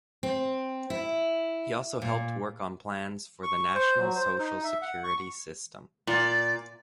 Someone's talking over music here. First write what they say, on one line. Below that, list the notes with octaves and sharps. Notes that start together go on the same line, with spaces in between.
He also helped work on plans for the national social security system.
C4
E4
A#2
C#6
C5
F#3
C5
D#4
E5
F#5
C#6
A#2 D5